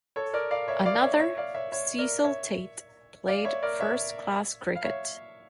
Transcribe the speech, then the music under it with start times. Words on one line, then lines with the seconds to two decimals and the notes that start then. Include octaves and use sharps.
Another, Cecil Tate, played first-class cricket.
0.16 A4 C#5
0.33 A#4 D5
0.51 D5 F5
0.68 C#5 E5
0.85 D5 F5
1.03 C#5 E5
1.20 C#5 E5
1.37 D5 F5
1.55 C#5 E5
1.72 C#5 E5
1.98 A#4 D5
2.24 C#5 E5
3.28 D5 F5
3.45 C#5 E5
3.63 A#4 D5
3.80 C#5 E5
4.76 F5
4.84 C#5 E5